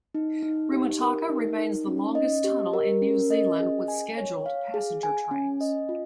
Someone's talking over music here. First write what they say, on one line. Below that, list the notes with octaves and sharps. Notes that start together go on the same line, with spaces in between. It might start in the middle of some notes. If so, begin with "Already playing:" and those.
Rimutaka remains the longest tunnel in New Zealand with scheduled passenger trains.
D#4
D#4
G4
A#4
D#4
D#4
C#4
D#5
G4
A#4
C#4
D#5
G#4
G#5
C#5
F5
G#4
G#5
C#4
D#5
F4